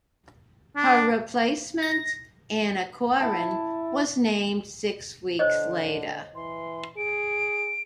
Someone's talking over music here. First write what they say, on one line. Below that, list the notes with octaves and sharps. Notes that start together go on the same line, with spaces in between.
Her replacement, Anna Coren, was named six weeks later.
D4
A#6
E4 A5
D3 C5 C#5 D#5
E3 C6
G#4 D7